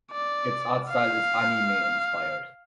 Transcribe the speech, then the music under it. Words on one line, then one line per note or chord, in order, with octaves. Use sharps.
Its art style is anime-inspired.
D5
F5